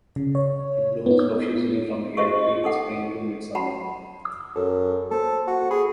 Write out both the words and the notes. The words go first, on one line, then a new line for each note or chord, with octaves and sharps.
It blooms profusely from early spring to mid summer.
C#3
C#5
B3 D#4
F#4 G4 C5 C#5 D#5 C#6
D#4 A4 F#5 D6
F#4 F#5 A5 B5
F#2 A4
A#3 A4 C5
F#4
G#4 B5